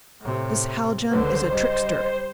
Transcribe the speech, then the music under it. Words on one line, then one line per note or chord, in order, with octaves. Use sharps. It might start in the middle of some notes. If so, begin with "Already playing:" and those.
This Haljan is a trickster!
A2 C3
C#2 D3 B4 C5
G3 D#5